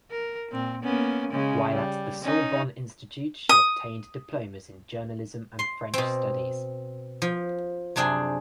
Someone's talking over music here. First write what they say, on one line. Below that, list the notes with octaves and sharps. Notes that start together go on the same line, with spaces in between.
While at the Sorbonne institute she obtained diplomas in journalism and French studies.
A#4
A#2 C4
A#3 B3 C#4
C#3 G#3 C#4
G3
C#4 D#4
D#6
C6
B2 C4
F3
F#2 C3 D4 G#4 G5